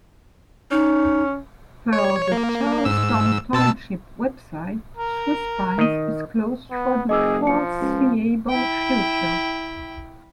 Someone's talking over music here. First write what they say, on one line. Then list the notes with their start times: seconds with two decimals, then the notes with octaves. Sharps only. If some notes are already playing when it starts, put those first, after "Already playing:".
Per the Charlestown Township website, Swiss Pines is closed for the foreseeable future.
0.71 C#4 D#4
1.93 C#5
2.32 A#3
2.85 G#2 E6
3.53 B2 A5 E6
4.97 A#4
5.78 D#3 D#5
6.71 B3
7.09 F#1 G#4 D#5 D6 E6
7.47 F3 C#7
7.81 C#2
8.50 E4 G5